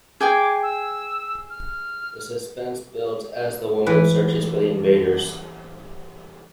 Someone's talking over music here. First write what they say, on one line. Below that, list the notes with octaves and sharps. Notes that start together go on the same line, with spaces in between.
The suspense builds as the woman searches for the invaders.
G#4 G5 G#5 D6
E6
F6
E3 B4